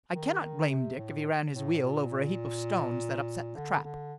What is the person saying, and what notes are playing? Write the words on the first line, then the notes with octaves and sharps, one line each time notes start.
I cannot blame Dick if he ran his wheel over a heap of stones that upset the trap.
D#3
D#3
C3
A2
A2
A#2
D3
D3